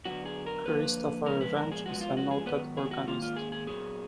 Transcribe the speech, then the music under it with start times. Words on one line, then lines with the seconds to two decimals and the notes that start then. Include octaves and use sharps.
Christopher Wrench is a noted organist.
0.05 D3 F#3 B3 F#4
0.25 G#4
0.46 A#4
0.66 D3 F3 A#3 B4
1.26 A#2 F3 G#3 B3 A#4
1.41 B4
1.56 A#4
1.72 G#4
1.86 F#2 F3 G#3 B3 F#4
2.01 F4
2.17 F#4
2.31 G#4
2.46 G#2 D#3 F#3 B3 B4
2.77 G#4
2.91 F#4
3.07 G#2 D#3 A#3 F4
3.22 F4
3.37 G#4
3.52 G#4
3.67 A#2 F#3 B3 G#4